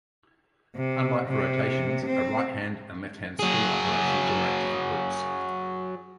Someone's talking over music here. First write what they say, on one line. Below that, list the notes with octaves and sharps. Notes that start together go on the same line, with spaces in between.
Unlike for rotations, a righthand and lefthand screw operation generate different groups.
C3
C3
C4
F#3 G#4